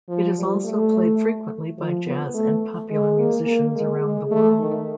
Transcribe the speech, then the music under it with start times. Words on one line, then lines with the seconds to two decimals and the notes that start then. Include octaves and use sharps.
It is also played frequently by jazz and popular musicians around the world.
0.09 F3
0.37 G3
0.65 A3
1.78 F3
2.06 B3
2.34 A3
2.90 G#3
3.19 A#3
3.47 A#3
3.75 G#3
4.03 G#3
4.31 A3
4.59 D#3